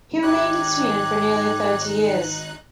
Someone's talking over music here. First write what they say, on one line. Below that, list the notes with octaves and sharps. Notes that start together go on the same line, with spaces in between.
He remained in Sweden for nearly thirty years.
G#1 D#4 G4 C#5 F#6